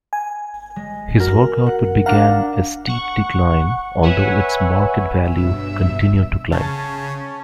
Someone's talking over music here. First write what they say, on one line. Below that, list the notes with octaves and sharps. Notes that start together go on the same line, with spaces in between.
His work output began a steep decline, although its market value continued to climb.
G#5
G#3
F#4 A#4
F#5
D4 F5 F#5 A#5
F#5 C#6
B4 C#5 E5 F#5 G#5
G2 B2 E5
C#3 C#4 C#5 A5